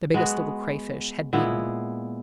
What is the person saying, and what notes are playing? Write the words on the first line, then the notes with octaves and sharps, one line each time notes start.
The Biggest Little Crayfish had beaten.
G#3 B3 F#4 B4
A#2 G#3 B3 E4